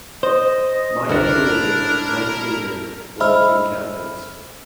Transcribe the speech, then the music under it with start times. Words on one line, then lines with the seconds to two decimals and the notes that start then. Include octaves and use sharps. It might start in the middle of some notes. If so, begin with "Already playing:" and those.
Mike Delaney and Mike Yeager were the team captains.
0.23 C5 D#5
1.10 G1 C2 D4 E4 F#4 A4 A#4
3.20 C5 D#5 E5 B5 E6 F6